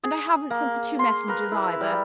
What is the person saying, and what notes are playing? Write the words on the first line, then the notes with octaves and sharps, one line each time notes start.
And I haven't sent the two Messengers, either.
G#4
A#3
C6
A#4 B4
E4
G3